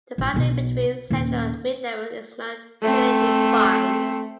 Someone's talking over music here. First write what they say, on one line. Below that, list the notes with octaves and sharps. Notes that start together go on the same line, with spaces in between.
The boundary between Central and Mid-levels is not clearly defined.
A1
B1 B2
D#1 C#4
A3 C4